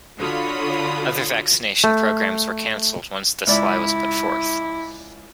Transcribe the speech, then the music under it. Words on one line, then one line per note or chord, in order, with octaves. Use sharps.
Other vaccination programmes were canceled once this lie was put forth.
D3 F4 F#4 C#5 B5 D#6
A3
C#2 E4 D5 E5